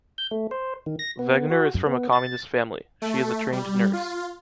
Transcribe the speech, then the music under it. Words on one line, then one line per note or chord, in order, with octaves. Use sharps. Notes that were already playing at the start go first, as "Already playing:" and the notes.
Wegner is from a communist family, she is a trained nurse.
G6
A3
C5
D#3
A#6
B3
F#4
F#2
B3
A6
A3
G3
F4